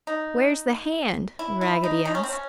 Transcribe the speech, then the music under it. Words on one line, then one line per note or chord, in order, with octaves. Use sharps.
"Where's the hand?" Raggedy asked.
D#4
E4
E4
D#4
D#4
C#4
C4
C#4